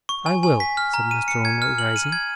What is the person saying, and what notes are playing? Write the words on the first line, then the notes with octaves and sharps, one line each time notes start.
'I will,' said Mr. Omer, rising.
C#6
G#5
G#5
B6
F6
A#5
D#7
C#7
G#6
F6
F#7
D#7
G#6